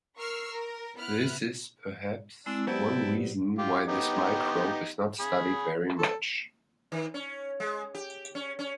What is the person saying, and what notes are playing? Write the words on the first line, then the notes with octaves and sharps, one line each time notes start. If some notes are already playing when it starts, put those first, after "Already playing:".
This is perhaps one reason why this microbe is not studied very much.
A#4 C#6 E6 F6 C7
A#4
B3 E4 F6 F#6
G#3 C4 D4 E4 E6
F#3 B3 C4 E4 G4 D5 G5 A5
F4 G4
B3 D#4 G4
G#4 B5
A4
D#3
C#4
G#3
G4
C#4
C#4